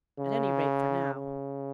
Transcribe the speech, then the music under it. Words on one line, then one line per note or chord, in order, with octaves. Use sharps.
"At any rate, for now."
C#3
C#3